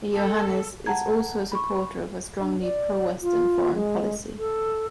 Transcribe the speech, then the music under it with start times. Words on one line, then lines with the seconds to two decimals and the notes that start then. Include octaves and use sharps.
Iohannis is also a supporter of a strongly pro-Western foreign policy.
0.14 A4
0.86 F#5 A5 A#5 G#6
1.52 B5 C#6
2.41 D4
2.61 D5
3.22 F4
3.75 G#3
4.39 A4